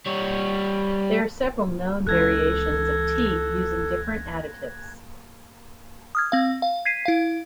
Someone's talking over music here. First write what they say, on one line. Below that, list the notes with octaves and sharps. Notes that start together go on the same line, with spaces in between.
There are several known variations of tea using different additives.
G3 C#5
C#2 E3 A4 F#6 G#6 A#6
D#6 F6 G#6
C4 F5
F5
G#6 B6 C7 D#7
E4 F5